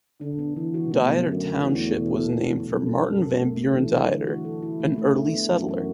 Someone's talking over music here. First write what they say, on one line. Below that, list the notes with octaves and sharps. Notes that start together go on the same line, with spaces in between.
Dieter Township was named for Martin Van Buren Dieter, an early settler.
D3 D4
B3
D3 E3
F#4
B2 A3
F#3
F#2 D3
D3
E2 F#4
A3
E2 B2
A4
E2 F#4
A3
F#2 B2
A4
A4
F#4
A3
A3
E3 D4
F#3
D3 E3
F#4
A4
E4
A3
A3
D4
B3
F#2 E3
F#4